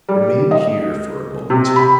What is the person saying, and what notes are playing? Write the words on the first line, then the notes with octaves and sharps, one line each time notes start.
"Remain here for a moment."
G3
D#5
C3
B5